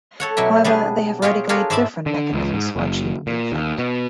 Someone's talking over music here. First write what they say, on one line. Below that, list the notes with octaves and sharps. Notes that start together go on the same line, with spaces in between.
However, they have radically different mechanisms for achieving the effect.
A4 C#5 F#5
B2 F#3 E4 G4
G3 B3 D4 G#4
F4 G4 G#4 C#5
D4 F4 G4 G#4 A#4 C#5
G#2 C5 D5 E5 A5 B5
D3
C#2
G#2
F#1
A#2
D#2
B2